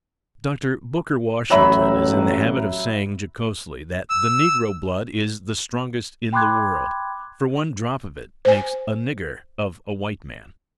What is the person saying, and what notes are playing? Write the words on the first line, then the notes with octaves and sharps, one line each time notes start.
Dr. Booker Washington is in the habit of saying jocosely that the negro blood is the strongest in the world, for one drop of it makes a "nigger" of a white man.
A1 F#3 E5 B5
E6
G5 B5 C6 D6 F#6 G#6
C5 G#5